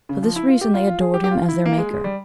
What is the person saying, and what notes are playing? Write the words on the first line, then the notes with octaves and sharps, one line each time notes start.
For this reason they adored him as their maker.
C#3
F3
E4
F4
G4
F4
F4
G#4
G4
G4
F4
E4
A#3
G#3
G#3
G3